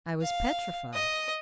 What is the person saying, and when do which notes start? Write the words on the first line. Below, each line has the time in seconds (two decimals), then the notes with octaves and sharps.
I was petrified.
0.22 F5
0.94 D#5